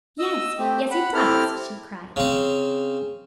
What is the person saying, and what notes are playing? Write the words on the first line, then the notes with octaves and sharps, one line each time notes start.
"Yes, yes, he does!" she cried.
D#5 E6
A3 C4 G4
F#5 B5
C4 E4 G4 A4 F6
C#3 C4